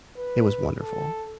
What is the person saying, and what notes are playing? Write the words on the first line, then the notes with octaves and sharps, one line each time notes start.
it was wonderful.
B4
A4